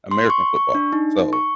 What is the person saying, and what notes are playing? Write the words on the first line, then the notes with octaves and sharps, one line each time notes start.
American football, so
C6
C#6
C#6
D4
D#4
C#6